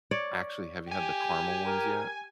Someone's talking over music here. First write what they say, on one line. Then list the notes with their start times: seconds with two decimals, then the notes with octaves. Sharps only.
Actually, have you had the caramel ones yet?
0.11 C#5 D5
0.91 G4 G#5
1.65 A#4